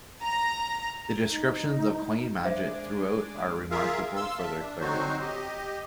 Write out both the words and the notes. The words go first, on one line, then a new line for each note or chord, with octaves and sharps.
The descriptions of coin magic throughout are remarkable for their clarity.
A#5
D#4
G#3 D4 C5 E5
F4 G#4 A#4 E5 F5
F5 C6 E6
E5 A5
D4
D3 F#3 C4 D#4 F#4 C5
G4 D#5